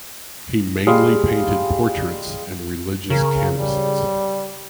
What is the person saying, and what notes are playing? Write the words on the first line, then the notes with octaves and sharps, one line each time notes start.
He mainly painted portraits and religious canvases.
G3 G#3 F5
C#3 A#4
G3